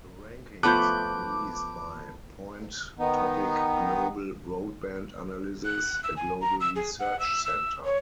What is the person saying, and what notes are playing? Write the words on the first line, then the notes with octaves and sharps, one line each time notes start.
The rankings are released by Point Topic Global broadband analysis, a global research centre.
F3 A3 B3 A5 B5 D6 F#6 G6
D#3 B3 D#4
F#6
E6
G#5
A#5
E6
G#4
F#5
E6
E6
C#5